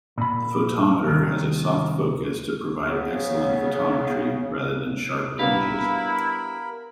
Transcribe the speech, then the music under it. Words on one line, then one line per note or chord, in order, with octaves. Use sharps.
The photometer has a soft focus to provide excellent photometry, rather than sharp images.
A#2 B5
C2 D#3
C#3 B3
G3 B3 D4 E4 G4 A#4 F5 B5